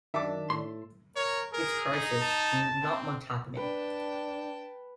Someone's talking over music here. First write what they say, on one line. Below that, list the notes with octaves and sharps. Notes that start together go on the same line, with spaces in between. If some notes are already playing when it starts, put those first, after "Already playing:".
Its crisis: not much happening.
F#2 D#3 D4 E5 A5 D6
A2 C6
A#4 C#5
G#4 A#4
D#4
A5
C4
D4 B4 G5 A5